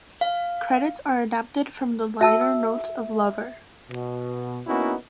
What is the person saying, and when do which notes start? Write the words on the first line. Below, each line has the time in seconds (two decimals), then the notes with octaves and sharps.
Credits are adapted from the liner notes of "Lover".
0.21 F5
2.21 F#4 E5 A5 E6
2.41 E6
3.89 B2
4.66 A#3 B3 C#4 D#4 E4 F#4